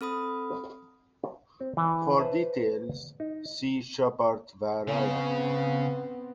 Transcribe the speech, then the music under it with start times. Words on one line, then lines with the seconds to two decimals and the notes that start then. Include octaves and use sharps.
For details see Schubert variety.
0.01 C4 A4 B5 D#6
1.61 C4
1.77 E3
2.19 B4 C5 E5 A5
3.20 D#4
4.88 C#3 B3 C4